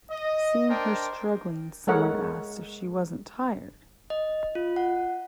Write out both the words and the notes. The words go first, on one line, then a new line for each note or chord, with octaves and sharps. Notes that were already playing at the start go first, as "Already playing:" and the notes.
Seeing her struggling, someone asked if she wasn't tired.
D#5
D4 A#4 C5 G5
G#3 A4 A#4 C#5 F#5
D#5
F4
F#5